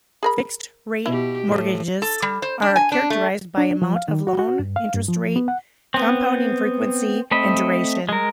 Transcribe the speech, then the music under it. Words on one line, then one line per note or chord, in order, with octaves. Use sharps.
Fixed-rate mortgages are characterized by amount of loan, interest rate, compounding frequency, and duration.
G#4 A#4 B5
B2 E4 G4
A2
A4
G3
C5
D4
G#5
D4
A3
D4
F3
F5
D#3
F#4
F#4
G2
F5
G2
F3
B3
F#5
B3 C4
A3 C4 D#5 B5
G#3 A#4